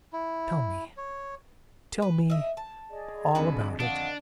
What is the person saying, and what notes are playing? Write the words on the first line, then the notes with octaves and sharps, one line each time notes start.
"Tell me--tell me--all about it."
E4
C#5
B4
D#5 E5
A5
G#4 D5 D#5
F2 D3 G3 F#4 B4
D#3 D4 D#5 F5 F#5